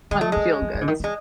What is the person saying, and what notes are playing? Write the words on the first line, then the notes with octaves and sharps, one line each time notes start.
on feel goods.
D#3 G#3
A3
E3 G#3
F3
E3
D3
D#3
E3
G#3